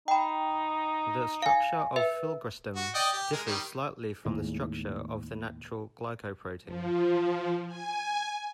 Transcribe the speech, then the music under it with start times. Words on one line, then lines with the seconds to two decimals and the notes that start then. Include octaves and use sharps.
The structure of filgrastim differs slightly from the structure of the natural glycoprotein.
0.08 D#4 G5 B5
1.42 F5 G#5
1.96 B4 E5
2.76 F#4
2.95 D5 D#5 G5
3.13 G4
3.33 G#3 A#4
3.47 D#3 G3
4.25 D#2 A2 G#3
6.64 F3
7.67 G#5